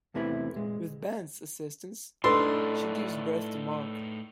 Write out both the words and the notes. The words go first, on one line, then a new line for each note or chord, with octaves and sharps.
With Ben's assistance, she gives birth to Mark.
E2 C3 A3 E4 B4 B5
A#2 G#3
A2 D4 D#4 A4 B4 C6